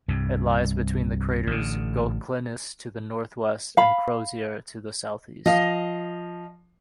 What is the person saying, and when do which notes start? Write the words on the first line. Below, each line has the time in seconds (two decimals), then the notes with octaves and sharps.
It lies between the craters Goclenius to the northwest and Crozier to the southeast.
0.08 C2 G2
1.47 A1 D3
3.77 F5 B5
5.46 F3 D#5 F5